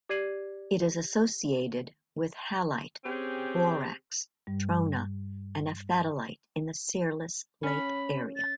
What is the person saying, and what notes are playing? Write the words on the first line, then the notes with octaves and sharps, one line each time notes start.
It is associated with halite, borax, trona and aphthitalite in the Searles Lake area.
G4 D5 G#6 C7 D#7 F#7
C4 C#4 G4 G#4
G2 G3
C#4 B5
A6